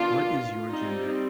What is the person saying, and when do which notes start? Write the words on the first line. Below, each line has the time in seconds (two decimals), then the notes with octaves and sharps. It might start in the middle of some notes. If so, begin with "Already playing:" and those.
What is your gender?
Already playing: D#3 B3 D4 F4
0.70 G3 C4 D#4